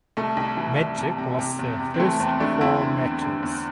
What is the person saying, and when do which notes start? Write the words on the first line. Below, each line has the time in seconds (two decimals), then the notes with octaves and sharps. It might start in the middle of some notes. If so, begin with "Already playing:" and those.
Magic lost their first four matches.
0.17 C2 A3
0.37 C2
0.57 E3
0.77 C2
0.98 C3
1.18 C3
1.39 C3
1.59 E2
1.79 C3
1.94 C4
1.99 E3 A3
2.20 E2 C4
2.40 E3 A3 D4
2.61 E2 C4 E4
2.81 D3
3.01 E2
3.22 D3
3.43 E2